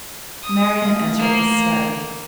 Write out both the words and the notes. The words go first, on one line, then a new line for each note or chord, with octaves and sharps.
Marian entered the study.
D#6
A3 F5
A#3